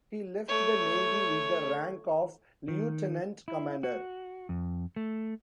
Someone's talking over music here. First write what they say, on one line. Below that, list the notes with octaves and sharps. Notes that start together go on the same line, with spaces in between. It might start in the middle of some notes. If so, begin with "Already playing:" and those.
He left the navy with the rank of lieutenant commander.
A3 C#5
D#3
E4
F#4
F2
A3